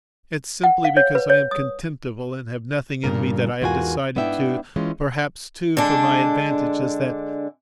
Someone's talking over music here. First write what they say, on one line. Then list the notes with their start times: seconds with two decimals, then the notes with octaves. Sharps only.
It's simply because I am contemptible and have nothing in me that I have decided to, perhaps too for my advantage, as that...
0.64 F#5
0.85 F5
0.97 C#5
1.15 B4
1.30 C#5
1.51 D#6
3.04 G2 A#2 C#3 A#4
3.62 E2 G#2 F4 F#4 A#4 G#5
4.16 G#2 B3 D4 E4 E5 G5
4.76 E3 G#3 C#4 F4
5.77 D3 G#3 D4